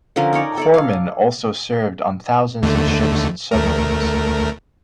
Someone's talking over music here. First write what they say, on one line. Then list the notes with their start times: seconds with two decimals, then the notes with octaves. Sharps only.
Corpsmen also served on thousands of ships and submarines.
0.16 D3 F3 C#4 A#4
0.33 D#4 A#4 C#5 D5
0.57 A4 C#5 D5
0.74 F5
2.63 D#2 D3 A3
3.51 D2 A3 A#4